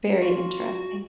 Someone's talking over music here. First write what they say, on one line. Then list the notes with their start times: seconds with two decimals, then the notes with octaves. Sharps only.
Very interrupting.
0.22 F4 F#4